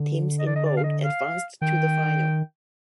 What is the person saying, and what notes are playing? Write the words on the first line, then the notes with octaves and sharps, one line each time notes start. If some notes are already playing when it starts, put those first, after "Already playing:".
Teams in Bold advanced to the final.
Already playing: D3
D#5
D5
D#5
D5
F5
D#5
F5
D#3 G5